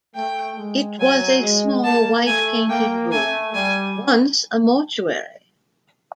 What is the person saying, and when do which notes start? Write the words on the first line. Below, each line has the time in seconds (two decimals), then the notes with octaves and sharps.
It was a small, white painted room, once a mortuary.
0.14 A3 G5
0.57 G#3
0.99 F#3 G#5
1.42 G#3
1.84 A#3 A5
2.26 A3 G#5
2.68 A#3 G5
3.11 A3 G#5
3.54 G3 G#5